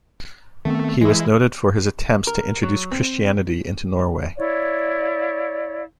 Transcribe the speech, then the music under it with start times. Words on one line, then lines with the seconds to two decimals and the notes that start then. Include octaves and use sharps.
He was noted for his attempts to introduce Christianity into Norway.
0.65 D#3 A3 B3 C4
1.01 E3 G#3 E4
2.27 A#4
2.63 F#3
2.91 C4
4.38 E4 C#5 D5 F5